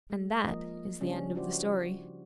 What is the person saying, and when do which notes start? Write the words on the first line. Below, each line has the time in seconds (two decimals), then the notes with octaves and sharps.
And that is the end of the story.
0.10 G#3
0.48 F3 A#3 A#4 D#5
1.00 C#3 F3 G3 C#4 D4
1.35 C#4 E4 F#4 G4 C5 D5